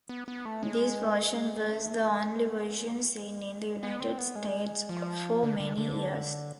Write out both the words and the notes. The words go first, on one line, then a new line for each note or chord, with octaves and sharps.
This version was the only version seen in the United States for many years.
B3
B3
A3
G#3
A3
G#3
B3
B3
C4
B3
G#3
F3
D3
D3
D3